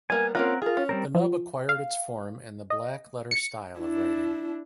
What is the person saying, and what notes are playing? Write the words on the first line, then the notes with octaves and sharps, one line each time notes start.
The nub acquired its form in the blackletter style of writing.
G3 A#3 B3 G#5
A#3 C4 C#4 F4 A#4 F#5
F4 G#4 A#4
C#4
G3 C4 A#4
F3
F5
D#5
C#7
D4 E4